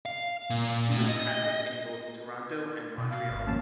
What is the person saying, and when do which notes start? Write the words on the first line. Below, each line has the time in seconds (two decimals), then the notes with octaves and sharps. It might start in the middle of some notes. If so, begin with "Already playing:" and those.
She was trafficked in both Toronto and Montreal.
0.06 F5
0.50 A#2
0.91 A2
1.09 D#5
2.98 B2
3.11 F5
3.31 G#1
3.47 F3 A#3 C#4 A5